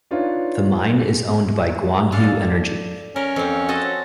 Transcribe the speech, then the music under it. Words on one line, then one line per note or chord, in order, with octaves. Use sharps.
The mine is owned by Guanghui Energy.
D4 D#4 F4 B4 C#5 E5
D4 A4 F5
C#4 A#4
F2 C4
F#4 A4 D#5